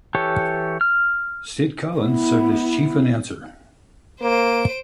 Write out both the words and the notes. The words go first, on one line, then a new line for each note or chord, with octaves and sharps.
Sid Collins served as chief announcer.
E3 G4 A4 C#5
F6
B3 E4
A#3 C5 D7